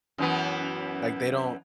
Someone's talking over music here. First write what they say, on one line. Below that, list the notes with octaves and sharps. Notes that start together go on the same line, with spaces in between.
Like, they don't
F#2 E3 B3